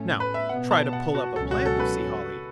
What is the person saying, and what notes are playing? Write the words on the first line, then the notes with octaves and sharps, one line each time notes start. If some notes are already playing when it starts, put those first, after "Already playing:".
Now try to pull up a plant of Sea Holly.
Already playing: A2 A3 C#4
B4
E5
B2 B3 F#5
A5
F#5
F#4
C#2 B2 F#3 C#4 A4
F#4
A4
B4